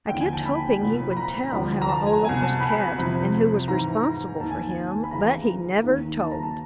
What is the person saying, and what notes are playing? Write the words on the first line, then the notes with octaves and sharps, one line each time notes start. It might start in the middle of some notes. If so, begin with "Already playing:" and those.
I kept hoping he would tell how Olaf was kept and who was responsible for him, but he never told.
D#2 D3 F3 G5
G#5
A5
B5
C2 A#2 F3
B5
A#5
D2 D3 F3
A#5
A5
G#5
C2 B2 G#5
A5
B5
F2 C3 F3
G#2 E3 A#5
A#5
D#2 D#3 A5
G#5
A5
B5
C#2 C#3 E3 A#5
D#2 D#3
A5
A#5
A5